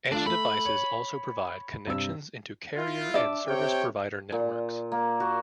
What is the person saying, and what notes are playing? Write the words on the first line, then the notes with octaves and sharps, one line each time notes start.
Edge devices also provide connections into carrier and service provider networks.
A3 D4 F4
A3 B5
C#5
G2 C3 E6
E4 F4
D4 D5 E5
C3 C#5 G5
A#2
A#3
F#4